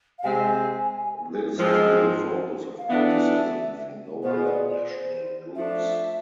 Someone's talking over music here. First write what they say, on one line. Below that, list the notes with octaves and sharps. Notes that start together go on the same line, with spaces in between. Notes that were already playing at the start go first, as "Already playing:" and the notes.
This has been the focus of criticism from local and national groups.
F5
C3 G#3 C4 G#5
G#2 F3 G#3 C4
F5
E3 B3 D4 A4 E5
B2 B3 F4 G#4 C5
D5
D5
C5
F3 A3 D4 E5